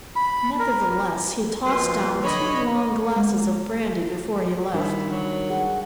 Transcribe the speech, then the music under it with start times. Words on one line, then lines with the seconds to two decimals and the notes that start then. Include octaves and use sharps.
Nevertheless, he tossed down two long glasses of brandy before he left.
0.16 B5
0.59 A#4
1.64 B2 F3 A#3 B4 C6
2.22 D3 F#3 C#5 D#5 B5
3.16 G#3
4.74 D#3 G3 D4 E4 C5
5.10 F#3
5.50 G#4 F#5